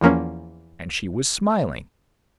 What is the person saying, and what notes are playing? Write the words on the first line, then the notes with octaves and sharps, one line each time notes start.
And she was smiling.
E2 F3 A#3 C#4